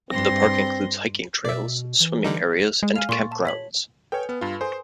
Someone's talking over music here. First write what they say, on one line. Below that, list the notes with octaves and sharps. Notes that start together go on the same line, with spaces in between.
The park includes hiking trails, swimming areas and campgrounds.
G2 C4 C6 A#6
B2 D5 E5
E3
D3 G3 D#4
G#3
F5 G#5 F6
A#2 C6 C#6 A6
A5
C#5 B6 F#7
A4 B4 C#5 G5 G#5
B3 B4
G2 F4
A4 C5 G#5 C6